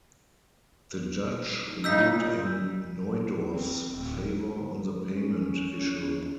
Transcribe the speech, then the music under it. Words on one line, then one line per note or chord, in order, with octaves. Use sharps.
The judge ruled in Neudorf's favour on the payment issue.
C#3 D#4 E6 G6 B6
A#2
C4
D1
C#4